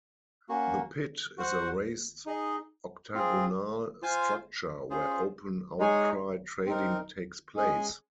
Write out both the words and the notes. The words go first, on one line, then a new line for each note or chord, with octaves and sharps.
The pit is a raised octagonal structure where open-outcry trading takes place.
A#3 C#4 F#4
F#4 C5 F#5
D#4 G#4 D#5
C4 F4 G#4
F4 C5 F5 G#5
C#4 F4 G#4 C5
G#3 D#4 G#4 C#5 G#5
C4 D#4 A#4
G#3 C#4 G#4 D#5 G#5